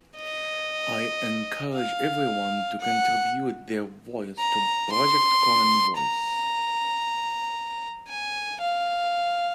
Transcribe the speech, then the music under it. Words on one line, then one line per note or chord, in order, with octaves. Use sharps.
I encourage everyone to contribute their voice to Project Common Voice.
D#5
F5
F#5
A#5
C6
A#5
G#5
F5